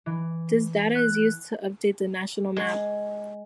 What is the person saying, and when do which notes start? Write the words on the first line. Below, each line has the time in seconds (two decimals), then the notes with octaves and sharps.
This data is used to update "The National Map".
0.06 E3
0.95 F#6
2.56 G#3